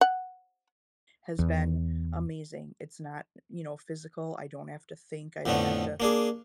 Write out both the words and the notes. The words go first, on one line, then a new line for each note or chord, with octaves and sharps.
has been amazing. It's not, you know, physical, I don't have to think, I don't have to
F#5
E2
F2 A2 D3 A3 B3
A#3 D4 G#4